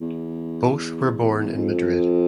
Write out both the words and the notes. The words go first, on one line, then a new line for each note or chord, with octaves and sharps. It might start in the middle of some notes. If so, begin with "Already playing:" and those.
Both were born in Madrid.
E2
F2